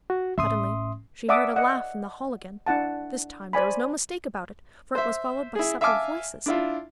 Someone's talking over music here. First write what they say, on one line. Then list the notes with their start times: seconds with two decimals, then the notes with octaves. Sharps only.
Suddenly she heard a laugh in the hall again--this time there was no mistake about it, for it was followed by several voices.
0.10 F#4
0.38 A1 E5 C6 D#6
1.29 D5 E5 F#5 A5 D6 D#6
1.56 D#5 F#5
2.67 D4 E4 F#5 A5
3.53 C5 D5 G#5 B5
4.95 C5 E5
5.55 E4 G#4
5.81 E5 F5 G#5 A5 D6 F6
6.46 D4 E4 F4